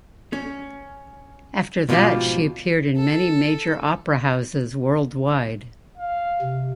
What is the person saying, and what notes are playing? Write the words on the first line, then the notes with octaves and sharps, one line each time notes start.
After that she appeared in many major opera houses worldwide.
C#4
G#2 B2 F3 D#4 F4 G4
A4
F5
C3